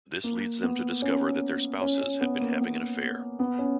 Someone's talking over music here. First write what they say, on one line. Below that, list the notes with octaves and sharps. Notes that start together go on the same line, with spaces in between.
This leads them to discover that their spouses had been having an affair.
A#3
B3
C#4
C#4
C#4
B3
A#3
B3
B3
C#4